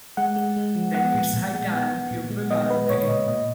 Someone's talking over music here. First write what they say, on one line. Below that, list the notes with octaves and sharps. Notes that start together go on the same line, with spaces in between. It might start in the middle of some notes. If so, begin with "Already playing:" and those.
Then it's high time you began again.
G#3 F#5
G#3
G#3
F3
B3 F#5
A#2
A#2
G#3
B3
B3
A#2
G#3
B3 D#5
G#3 B4
A#2 C#5
A#2 D#5
A#2 D#5